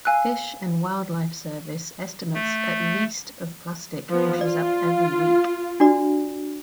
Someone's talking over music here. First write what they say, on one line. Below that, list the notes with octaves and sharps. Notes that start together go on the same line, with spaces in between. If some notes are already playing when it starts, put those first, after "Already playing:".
Fish and Wildlife Service estimates at least of plastic washes up every week.
F5 G#5 E6 F#6
A3
F3 B3
F4 D5
D4 F#4 D5